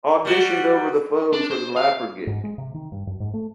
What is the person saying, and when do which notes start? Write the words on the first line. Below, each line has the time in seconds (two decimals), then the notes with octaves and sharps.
au auditioned over the phone for the laugher gig,
0.25 G3 F#4
1.33 D4
1.51 C5
1.77 F5
2.27 G#2
2.44 G#3
2.58 C3
2.74 D#3
2.92 G2
3.07 F#2
3.20 G#2
3.34 A3